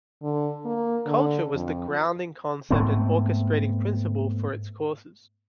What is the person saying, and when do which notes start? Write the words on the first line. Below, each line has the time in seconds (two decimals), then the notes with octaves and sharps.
Culture was the grounding concept and orchestrating principle for its courses.
0.23 D3
0.65 A#3
1.06 D3
1.54 F2
2.70 G#2 A3 B3 C4